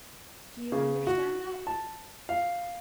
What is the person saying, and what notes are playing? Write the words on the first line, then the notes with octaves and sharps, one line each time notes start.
Do you understand that?
C#3
F#4
A5
F5